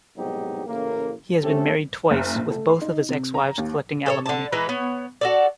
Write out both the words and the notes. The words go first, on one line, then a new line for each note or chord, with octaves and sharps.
He has been married twice, with both of his ex-wives collecting alimony.
C2 G#2 B2 F#3 D#4 G4
A1 A2 C#3 A#3
A3 C4 C#4 G4 A4
F#1
A#1
A3
C6
D#4
C3
A#5
D#2
A4 C5 C#5
D3 A5
E3 G#3 B4 A#5
B3 C#5
F#4 A4 D5